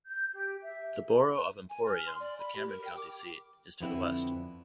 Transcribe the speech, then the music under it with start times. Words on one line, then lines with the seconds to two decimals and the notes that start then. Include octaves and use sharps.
The borough of Emporium, the Cameron County seat, is to the west.
0.06 G6
0.34 G4
0.63 E5
1.70 G#5
1.87 F6
2.07 C6
2.20 D5
2.39 B5
2.56 G4
2.69 A#4
2.85 G5
2.97 D6
3.80 F2 D3 B3 C4 E4